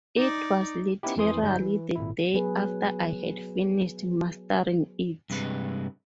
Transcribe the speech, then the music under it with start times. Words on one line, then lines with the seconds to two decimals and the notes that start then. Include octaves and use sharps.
It was literally the day after I had finished mastering it.
0.17 D#4 D5
1.03 B3 C#4 D#4 E4 G4
1.16 F2 E3 C6 D#6
1.42 G1 G3 D#4 G6
1.61 E3
1.95 G#1 A#2 E4
2.34 F#3 B3 G#4 B4
5.30 G2 C3 G#3 B4